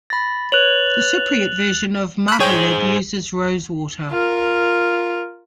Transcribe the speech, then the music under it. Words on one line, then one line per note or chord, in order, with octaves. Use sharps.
The Cypriot version of mahaleb uses rosewater.
B5 A6 A#6
B4 C#5 F#6 F7 F#7
B5 F#6
G#4 C5 C#5 G5
F4 A#4